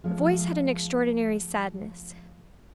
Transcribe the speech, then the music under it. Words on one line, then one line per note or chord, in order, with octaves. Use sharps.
The voice had an extraordinary sadness.
F3 G#3 A3 G#4 C#5